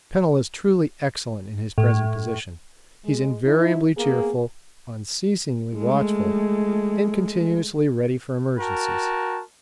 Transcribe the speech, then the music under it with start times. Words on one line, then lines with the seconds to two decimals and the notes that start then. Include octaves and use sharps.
Pennell is truly excellent in his present position--he's invariably cheerful, unceasingly watchful, and continuously ready for emergencies.
1.78 A2
3.05 G#3
3.46 F3 D#4 E4
3.97 A#3 B3 G#4
5.76 G#3 A3
8.58 F#4 A#4 G5 A5